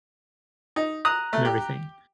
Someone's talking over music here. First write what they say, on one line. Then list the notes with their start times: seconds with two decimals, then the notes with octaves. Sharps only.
and everything.
0.76 D#4
1.05 A#5 D#6 F#6
1.33 A3
1.45 G4